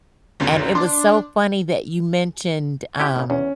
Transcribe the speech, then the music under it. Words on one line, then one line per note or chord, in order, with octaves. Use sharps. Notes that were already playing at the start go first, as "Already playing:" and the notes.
and it was so funny that you mentioned, um,
G1 C#2 F#2
D4 C6 D6
C#4 E4 G4
A2 C#3
E2 C#4